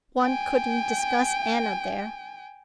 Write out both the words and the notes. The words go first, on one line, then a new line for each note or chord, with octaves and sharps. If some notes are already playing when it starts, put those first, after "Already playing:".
One couldn't discuss Anna there.
G5 G#5